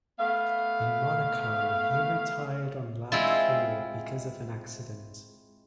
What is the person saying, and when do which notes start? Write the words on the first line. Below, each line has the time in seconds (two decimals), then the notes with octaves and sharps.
In Monaco he retired on lap four because of an accident.
0.19 A3 B3 F5
3.12 G#3 C4 E4 F4